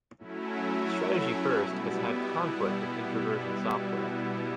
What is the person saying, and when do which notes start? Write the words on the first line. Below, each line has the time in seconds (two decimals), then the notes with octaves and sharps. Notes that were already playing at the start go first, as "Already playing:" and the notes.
Strategy First has had conflict with Introversion Software.
0.18 F#3 A3 C#4 E4
1.57 B2 G3 B3 E4